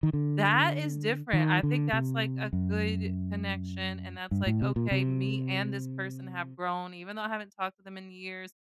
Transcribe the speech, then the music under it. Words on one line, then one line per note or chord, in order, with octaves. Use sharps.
That is different. I think that's, like, a good connection, and that's like, "Okay, me and this person have grown, even though I haven't talked to them in years,
D#3
D3
D#3
D3
C3
F#2
G2
A2
C3
A#2
C3